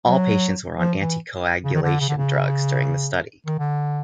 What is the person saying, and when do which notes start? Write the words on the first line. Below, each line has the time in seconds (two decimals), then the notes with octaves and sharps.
All patients were on anticoagulation drugs during the study.
0.07 F#3
0.77 F3
1.00 E3
1.64 C#3
1.74 D#3
1.83 D3
2.00 C#3
2.09 D3
2.18 C#3
3.46 D#3
3.59 D3